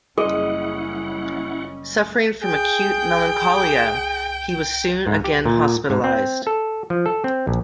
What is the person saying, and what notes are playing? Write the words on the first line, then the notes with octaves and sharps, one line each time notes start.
Suffering from acute melancholia, he was soon again hospitalized.
F#1 G3 C#4 E4 G#4 D#5 F#5
G#4 G5
G#2
G4
A#2
G#2
C4
A4
F3
A4
C4
A#1